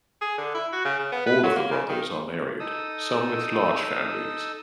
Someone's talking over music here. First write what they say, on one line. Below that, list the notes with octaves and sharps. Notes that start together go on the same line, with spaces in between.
All of the brothers are married, some with large families.
G#4
D3
E4
F#4
C#3
C#3
B3
B4
F#3
A#3
C#3
D#3
D#4 A4 D#6 E6